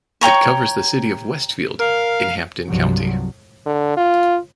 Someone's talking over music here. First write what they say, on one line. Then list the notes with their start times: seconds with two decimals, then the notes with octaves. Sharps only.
It covers the city of Westfield in Hampden County.
0.21 C#5 G5 A#5 C#6
1.80 A#4 F5
2.67 C2 G2 F3 F#3
3.66 D3
3.97 F4